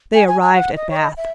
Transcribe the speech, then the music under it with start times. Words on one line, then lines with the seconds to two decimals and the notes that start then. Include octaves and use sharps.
They arrived at Bath.
0.15 G#5
0.28 G#5
0.42 G#5
0.56 F#5
0.76 D#5
0.90 C#5
0.96 D#5
1.17 E5